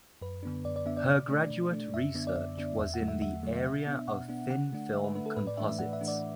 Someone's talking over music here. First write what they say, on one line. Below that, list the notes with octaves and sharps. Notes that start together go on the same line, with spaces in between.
Her graduate research was in the area of thin film composites.
F#2 B4
D3 B3 D4
F#2 D5
D5
D3 B3 D4 E5
D5
B2
A3 D4
B2
A3 D4
F#2 E5
D3 B3 D4
D5
F#2 E5
D3 B3 D4
E2 E5
F#5
D3 F#3 A3
E5
E2 E5
D3 F#3 A3
B2 E5
B3 D4
B2 F#5
B3 D4
D3 F#5
A3 D4
D3 E5
B4
A3 D4 B4
A4
A2 B4
D5
E3 A3 D4 E5
E5
A2 F#5
E5
E3 A3 D4
D5